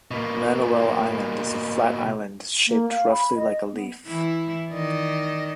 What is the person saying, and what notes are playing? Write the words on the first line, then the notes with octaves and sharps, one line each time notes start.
Manoel Island is a flat island shaped roughly like a leaf.
B2 A#3
A#3
F5
B5
D#5
B3
E3 E4
D#3 D5 D#5